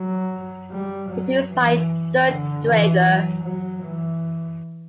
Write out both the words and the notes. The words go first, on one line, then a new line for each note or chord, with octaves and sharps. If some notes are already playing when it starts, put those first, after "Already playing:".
Produced by Dirk Draeger.
Already playing: F#3
G3
F#3
E3
D3
E3
F#3
F#3
E3